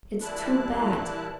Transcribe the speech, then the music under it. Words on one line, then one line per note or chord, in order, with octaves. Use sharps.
It's too bad!
A#2 E3 G3 E4 A5 F#6